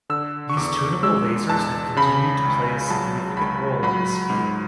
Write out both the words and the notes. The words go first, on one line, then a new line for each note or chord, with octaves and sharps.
These tunable lasers have continued to play a significant role in this field.
D3 E6
C#6
E2 D6
G#3 E6
E2 A5
C#3 B5
C#2
F#3 A5
C#2 B5
F#3 B5
G#2